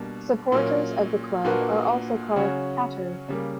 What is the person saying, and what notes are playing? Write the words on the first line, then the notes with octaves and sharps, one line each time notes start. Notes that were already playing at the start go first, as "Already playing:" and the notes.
Supporters of the club are also called Hatters.
Already playing: B2 G3 A#3 D4
A#2 F#3 A#3 C#4
A#2 A#3 D4 F#4 B4
C#3 F#3 C#4 F#4 C#5
C#3 G3 A#3